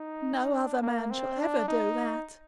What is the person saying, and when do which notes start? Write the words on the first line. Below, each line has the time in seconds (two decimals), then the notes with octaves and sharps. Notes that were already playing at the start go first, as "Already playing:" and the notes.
"No other man shall ever do that."
Already playing: D#4
0.52 D4
0.81 A#3
1.11 C4
1.40 D4
1.68 D#4